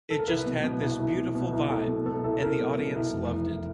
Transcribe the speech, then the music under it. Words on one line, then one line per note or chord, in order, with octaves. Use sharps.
It just had this beautiful vibe and the audience loved it.
A4
A#4
C2 B4
B2
B2
C2
C2
B2
B2
C2
C2 A4
B2
B2 A4
C2 A4
C2 A#4
B2
B2
C2
F1
E2